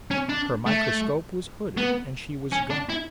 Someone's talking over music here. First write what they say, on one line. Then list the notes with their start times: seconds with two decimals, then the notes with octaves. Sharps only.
Her microscope was hooded and she was gone.
0.11 C#4
0.29 D4
0.66 A3
1.78 B3
2.53 C#4
2.71 D4
2.90 E4